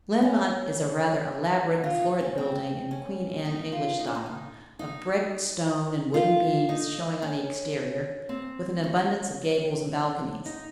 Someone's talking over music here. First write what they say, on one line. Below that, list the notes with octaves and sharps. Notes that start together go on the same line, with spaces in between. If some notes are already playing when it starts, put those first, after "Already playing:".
Glenmont is a rather elaborate and florid building in Queen Anne English style, of brick, stone, and wooden beams showing on the exterior, with an abundance of gables and balconies.
C#4
F4
D#4
C#4
C4
C#4
D#4
F4
D#4
C#4
D#4
D#4
D#4
F4
D#4
C#4
C4
C#4
D#4